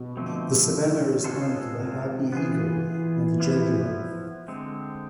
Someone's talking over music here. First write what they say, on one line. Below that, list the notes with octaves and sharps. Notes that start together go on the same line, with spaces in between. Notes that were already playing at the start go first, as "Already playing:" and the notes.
The savannah is home to the harpy eagle and the jaguar.
Already playing: B2
D3 F3 A3 C4
G#3 B3 F4 A4 C5
C3
E3 B3 F4 G#4
E3
F3 B3 E4
D3 G#3 C4